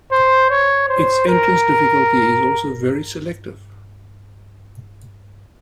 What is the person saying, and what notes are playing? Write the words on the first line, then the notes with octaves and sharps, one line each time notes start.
Its entrance difficulty is also very selective.
C5
C#5
C5
A#4